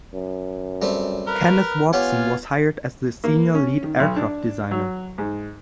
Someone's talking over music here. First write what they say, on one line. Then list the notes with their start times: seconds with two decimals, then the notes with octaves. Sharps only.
Kenneth Watson was hired as the senior lead aircraft designer.
0.14 F#2
0.82 G3 A3 C4
1.27 A#4 B4
1.93 B3 F4 G4 C#5 F#5 G#5
3.24 A#3
3.55 C#4
3.84 D#3
4.00 B1
4.16 D4
4.71 F#3
5.18 G#2